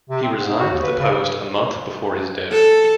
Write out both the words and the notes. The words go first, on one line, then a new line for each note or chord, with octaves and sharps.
He resigned the post a month before his death.
C3
C4
G#2
F#4
D#2
B4
C#3
A4